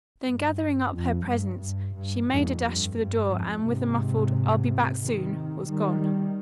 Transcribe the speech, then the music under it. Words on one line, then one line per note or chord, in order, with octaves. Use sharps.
Then gathering up her presents she made a dash for the door and with a muffled, "I'll be back soon," was gone.
G2
F2
G2
G2
G2
F2 G#2
G2
G2
F2 G#2
G#2 C3
C3 D#3
D#3 G3